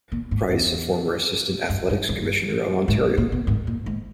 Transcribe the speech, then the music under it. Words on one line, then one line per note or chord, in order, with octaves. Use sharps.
Price, a former assistant athletics commissioner of Ontario.
A#2
G#2
E2
G2
G2
G2
G#2
A#2
B2
G#2
A#2
G#2